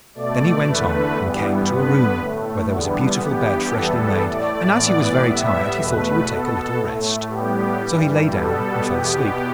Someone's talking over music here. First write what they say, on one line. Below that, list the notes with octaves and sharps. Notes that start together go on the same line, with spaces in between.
Then he went on, and came to a room where there was a beautiful bed freshly made, and as he was very tired he thought he would take a little rest; so he lay down and fell asleep.
B2 A3 D5
E2 D3 A3 B4
G2 E3 G3 B3
G2 D3 B3 B4
A2 A3
E2 D3 G3 B3
G2 E3 B3 G4
E2 E3 G3 B3 A4
A2 A3 D5
A2 E3 B3 D5
A2 G3 B3 E5
E2 B2 A3 B4
B2 B3 A4
A2 A3
A2 G3 B3 G4
G2 E3 G3
B2 G3 B3 A4
E2 B2 B3 G4